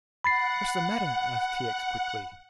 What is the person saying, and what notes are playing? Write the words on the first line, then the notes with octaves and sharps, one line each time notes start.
"What's the matter?" asked T. X. quickly.
F#5 B5 A6 C7